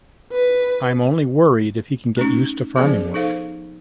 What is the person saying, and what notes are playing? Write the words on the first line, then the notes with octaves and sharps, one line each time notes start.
I’m only worried if he can get used to farming work.
B4
A3 C#4 D#4
F3 B3 G#4 C5 E5
D#4 A4 C5 F5